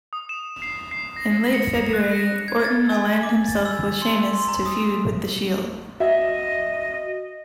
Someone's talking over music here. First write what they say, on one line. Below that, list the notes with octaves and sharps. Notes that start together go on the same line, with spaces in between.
In late February, Orton aligned himself with Sheamus to feud with the Shield.
D#6
E7
C7
C7
A#6
C#7
F#6
A#6
G#6
A6
G#5
D6
A6
E6
C6
C6
A#5
D#6
F#4 D#5 E5